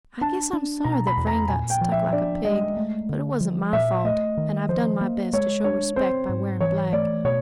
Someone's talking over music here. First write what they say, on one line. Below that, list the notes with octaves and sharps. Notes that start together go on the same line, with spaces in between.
I guess I'm sorry that Vrain got stuck like a pig; but it wasn't my fault, and I've done my best to show respect by wearing black.
D4 A5
D4
B2 A#5
B5
E2
A#5
A#2 G#5
G5
F3
E5
D4 D5
G#3 D#5
A3
D3
F3
A#2 E5
A3 D#5
D#3
F3 C5
A#3
G#3 C#5
D4 C#5
C4 C5
G#2
E3 C#5
A3 D5
B2 C#5